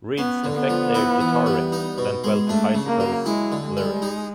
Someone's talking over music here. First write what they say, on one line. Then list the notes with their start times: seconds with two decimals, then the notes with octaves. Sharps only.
Reed's effect layered guitar riffs lent well to Heiskell's lyrics.
0.18 B3 C#4
0.44 D3
0.56 B3
0.69 F3
0.95 E4
1.21 E3
1.46 G3
1.72 D#4
1.98 B2
2.24 G#3
2.49 A3 D4
2.75 C#3
2.87 A#3
3.00 F#3
3.26 G#3 E4
3.52 D3
3.65 G#3
3.77 G3
4.02 D#4